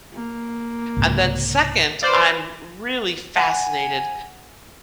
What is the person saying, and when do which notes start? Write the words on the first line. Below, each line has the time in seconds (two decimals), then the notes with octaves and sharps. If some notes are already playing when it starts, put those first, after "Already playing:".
And then second, I'm really fascinated
0.13 A#3
0.97 C2 G#2 C#3
2.03 B4 C5 D5 F5
3.37 F#5 G#5